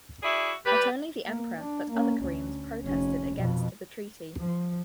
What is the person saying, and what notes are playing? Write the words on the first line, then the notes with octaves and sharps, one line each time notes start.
Not only the Emperor but other Koreans protested against the Treaty.
E4 F#4 G#4 D5 E5
G3 G4 B4
A#3
D4
A#3 C#4
D2 C#4
F1 C#4
F2 B2
F3